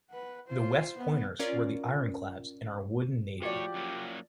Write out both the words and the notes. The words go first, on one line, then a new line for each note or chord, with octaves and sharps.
The West Pointers were the ironclads in our wooden navy.
B4 F#5
F4 C5
B3
C#4 F4 A#4 D5
A2 F3 F#4 G4 C#5 D5
F#2 F#3 A#3